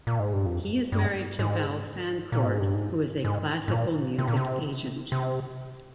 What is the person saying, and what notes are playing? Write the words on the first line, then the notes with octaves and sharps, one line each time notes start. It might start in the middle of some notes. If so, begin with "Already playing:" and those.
He is married to Val Fancourt, who is a classical music agent.
A#2
G#2
G2
F2
G2
G#2
A#2
G#2
G2
G#2
G#2
G#2
A#2
C3
A#2
C3
C3